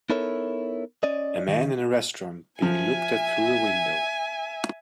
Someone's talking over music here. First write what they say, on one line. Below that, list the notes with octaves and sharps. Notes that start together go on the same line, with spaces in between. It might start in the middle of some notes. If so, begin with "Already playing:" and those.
A man in a restaurant being looked at through a window.
B3 D#4 E4 A4 A#4 C#5
C#4 D5 D#5
D#3
F3 E5 G#5